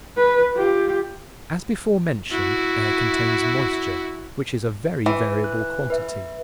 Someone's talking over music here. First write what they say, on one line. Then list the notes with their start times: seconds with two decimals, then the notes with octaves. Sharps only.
As before mentioned, air contains moisture, which is a very variable quantity.
0.18 B4
0.55 F4 G4
2.31 E4 F#4
5.06 E3
5.44 F#6
5.90 B4 E5